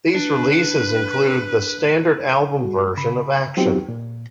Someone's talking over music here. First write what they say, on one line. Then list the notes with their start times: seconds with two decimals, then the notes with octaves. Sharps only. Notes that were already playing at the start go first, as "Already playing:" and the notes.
These releases include the standard album version of Action.
0.15 D4 B4
2.63 G3 F#4
2.97 C#3 B5
3.57 F#3 B3 C4 D#4 F4 G4
3.89 A#2